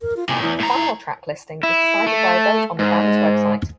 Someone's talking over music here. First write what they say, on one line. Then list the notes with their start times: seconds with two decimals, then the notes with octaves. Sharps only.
The final track listing was decided by a vote on the band's website.
0.01 A#4
0.17 F4
0.29 A2 C3 G#5
0.42 E2 E4
0.60 A2 A#5
0.74 E4
1.63 E4
2.06 A3
2.79 G#2